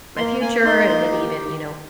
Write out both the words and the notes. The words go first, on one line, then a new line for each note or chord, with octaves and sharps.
my future and maybe even, you know,
A#3 C6
A#3 G#5
D#4 C6
A#3
G4